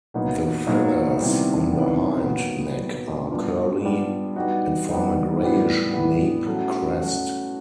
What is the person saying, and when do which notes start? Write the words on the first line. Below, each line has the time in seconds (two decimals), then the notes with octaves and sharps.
The feathers on the hind neck are curly and form a greyish nape crest.
0.14 A#2 F#3 B3 D#4
0.67 A#2 F#3 B3 D#4
1.20 C3 D#3 G3 B3 E4
1.72 C3 D#3 G3 B3 E4
2.25 A#2 F#3 B3
2.78 A#2 F#3 B3
3.30 G3 B3 D4 F4
3.83 G3 B3 D4 F4
4.36 G3 B3 D#4 F#4
4.88 G3 B3 D#4 F#4
5.41 A2 E3 G3 B3
5.93 A2 E3 G3 B3
6.46 F#3 A3 C#4 F#4
6.99 F#3 A3 C#4 F#4